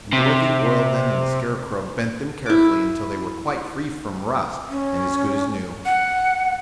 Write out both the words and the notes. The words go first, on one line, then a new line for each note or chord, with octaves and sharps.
And Dorothy oiled them and the Scarecrow bent them carefully until they were quite free from rust and as good as new.
C3
E4 D6
C#4
F#5